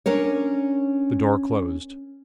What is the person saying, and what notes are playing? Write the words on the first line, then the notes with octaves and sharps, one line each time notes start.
The door closed.
C#4 D4 A#4 C#5